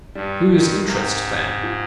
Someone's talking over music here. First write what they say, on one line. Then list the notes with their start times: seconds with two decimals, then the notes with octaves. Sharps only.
Whose interest then?
0.15 G2 G3
0.53 G2 D#3
0.89 G#2 C3
1.27 C3
1.64 F3